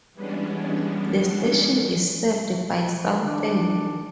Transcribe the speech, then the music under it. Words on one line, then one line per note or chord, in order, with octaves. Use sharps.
The station is served by Southern.
E3 G3 G#3 B3 C#4 D4
D#3 D4